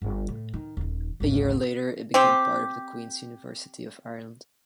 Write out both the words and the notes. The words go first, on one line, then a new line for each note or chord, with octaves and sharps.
A year later it became part of the Queen's University of Ireland.
G1
A2
D#3
D#1 D#3
G#1 D2
C4 G4